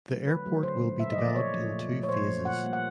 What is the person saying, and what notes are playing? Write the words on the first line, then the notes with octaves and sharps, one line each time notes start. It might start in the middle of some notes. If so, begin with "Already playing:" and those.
The airport will be developed in two phases.
F#3 A3
D3 B4
F#3 A3
D3 C5
F#3 A3
A#2 E5
D#5
F3 A3 D5
A#2 C#5
F3 A3
A#2
F3 A3
C#5
A#2 C5
F3 A3
A#2 F#5
G3 A#3
F#5